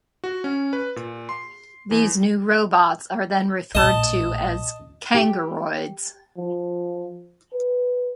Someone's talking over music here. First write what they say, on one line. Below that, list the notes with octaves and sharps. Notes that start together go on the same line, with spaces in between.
These new robots are then referred to as 'kangoroids'.
F#4
C#4
B4
A#2
C6
E2
A#1 A2 D#5 A5
G4
F3
B4